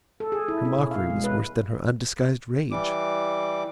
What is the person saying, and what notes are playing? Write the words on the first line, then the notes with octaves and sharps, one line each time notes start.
Her mockery was worse than her undisguised rage.
A4
G#4
E4
C#4
B2
F5
G#3
B4
E3 G3 D6